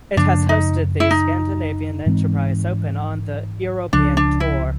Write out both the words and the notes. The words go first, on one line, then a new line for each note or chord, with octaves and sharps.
It has hosted the Scandinavian Enterprise Open on the European Tour.
F#2 C#3 F3 A#3 D4
D#4
E4
D#4
G#2 E3 G#3 C4
C#2 C#3 F3 D4
D4
E4